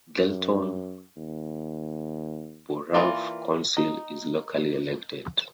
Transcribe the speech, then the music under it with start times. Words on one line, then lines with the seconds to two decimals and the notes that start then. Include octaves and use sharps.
Galeton Borough Council is locally elected.
0.19 F#2
1.17 D#2
2.94 E3 A#3 F4 D5
3.77 D#4